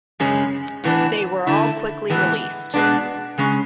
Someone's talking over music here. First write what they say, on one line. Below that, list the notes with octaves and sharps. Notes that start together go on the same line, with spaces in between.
They were all quickly released.
F#2 C#3 G#3 C#4
A2 E3 B3 D4
D3 A3 E4
A2 E3 G#3 B3
B2 G#3 B3 D4
C#3 G#3 C#4